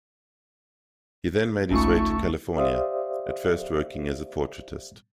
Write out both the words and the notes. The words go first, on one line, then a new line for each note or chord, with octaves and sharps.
He then made his way to California, at first working as a portraitist.
G#1 C#2 A3 C#4 D#4 F4 C#6
G4 C5 D5 E5 F5 D#6